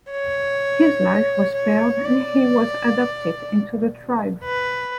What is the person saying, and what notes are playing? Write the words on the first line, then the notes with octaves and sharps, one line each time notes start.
His life was spared and he was adopted into the tribe.
C#5
C#5
D5
B4